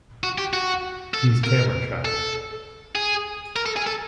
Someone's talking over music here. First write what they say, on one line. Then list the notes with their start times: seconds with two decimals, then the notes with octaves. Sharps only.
He's camera shy.
0.24 F#4
0.38 G4
0.53 F#4
1.14 A4
1.44 A#4
2.05 A4
2.96 G#4
3.56 A#4
3.66 A4
3.76 G#4
3.86 A4